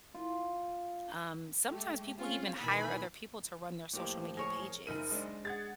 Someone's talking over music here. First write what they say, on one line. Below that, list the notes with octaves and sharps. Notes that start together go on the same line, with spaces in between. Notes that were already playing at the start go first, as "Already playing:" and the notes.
um, sometimes people even hire other people to run their social media pages.
F4
G#3 A3 G4
C4 C#4 F4 G#4
B2 D#3 E3 G#5 B5
A2 F3 A#3 G4 D5
G#4 A#4 C#5 C#6
F#1 D#4 A#4 B5 D#7
G#3 D4 C5
G#4 F#5 G#6 A6